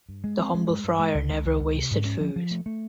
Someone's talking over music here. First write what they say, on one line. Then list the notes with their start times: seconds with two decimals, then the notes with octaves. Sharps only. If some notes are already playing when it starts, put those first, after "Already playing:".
The humble friar never wasted food.
0.09 G2
0.24 G#3
0.39 C4
0.54 G#3
0.70 G2
0.84 G2
1.00 G#3
1.15 C#2
1.30 C#2
1.45 C#2
1.60 C#2
1.76 C3
1.91 G#2
2.05 C#4
2.21 F3
2.36 F3
2.51 A3
2.66 A3